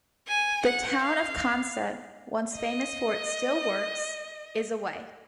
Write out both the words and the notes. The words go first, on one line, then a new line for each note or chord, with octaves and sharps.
The town of Consett, once famous for its steel works, is away.
G#5
F#5
F5
D#5